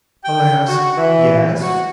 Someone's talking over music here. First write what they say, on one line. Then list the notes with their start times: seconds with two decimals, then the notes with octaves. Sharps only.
"Alas, yes."
0.24 G5
0.68 F#4
0.97 E3
1.62 F#4